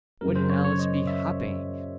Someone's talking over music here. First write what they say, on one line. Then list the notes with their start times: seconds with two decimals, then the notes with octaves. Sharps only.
Wouldn't Alice be hopping!
0.21 F#2 C#3 F#3 A#4
0.36 C5
0.50 C#5
0.64 C#5
0.79 D#5
1.07 E5